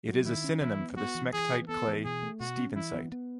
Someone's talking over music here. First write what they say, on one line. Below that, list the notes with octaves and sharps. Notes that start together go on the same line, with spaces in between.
It is a synonym for the smectite clay: stevensite.
F#3
D#3 E4
C#4
E3 E4
B3
B3 F#4
E3
E3 G#4
B3
B3 A4
E3
B2 G#4
A3
B2 F#4
C#4
E3 E4
B3
B3